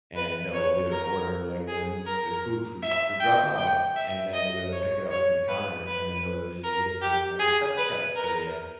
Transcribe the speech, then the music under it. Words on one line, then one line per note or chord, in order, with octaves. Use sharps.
And they'll be able to order like their m their food through through Grubhub, and then they'll be able to pick it up from the counter, and then they'll just eat it in, like, a separate cafeteria.
B4
C#5
A#4
G#4
A#4
E5
G5
G5
E5
D#5
C#5
C#5
B4
B4
A#4
G4
G#4
B4
A#4